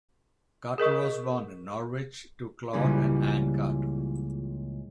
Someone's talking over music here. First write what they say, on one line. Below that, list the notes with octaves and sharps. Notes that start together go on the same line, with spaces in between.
Carter was born in Norwich to Claude and Anne Carter.
G#4 A#4 D#5 C#6
C#2 A#2 C#3 E3 G3 C#4